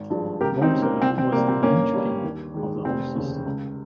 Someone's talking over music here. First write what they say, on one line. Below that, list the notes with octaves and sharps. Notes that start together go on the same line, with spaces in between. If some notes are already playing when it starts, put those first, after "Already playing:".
Malta was the lynch-pin of the whole system.
Already playing: G#1
G2 F3 G#3
C#2 G4 A#4
C4 D#4
C#3 G#3
A#3
C2 C4
C4
C3 G3 A#3
C4
G1 A#3 C#4
G2 G3
D#2
D#3 G#3
F1 C4
D#2 C#3
C#2